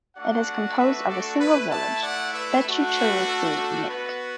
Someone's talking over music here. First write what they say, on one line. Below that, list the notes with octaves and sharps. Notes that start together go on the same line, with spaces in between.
It is composed of a single village, Becicherecu Mic.
A3 D4 F#4 D5 F#5
B4 E5
A4 D5
A3 E4 B4
E5 A5
D5 F#5
B4 E5
A3 D4 F#4
B4
A4
A4
B3 F#4 B4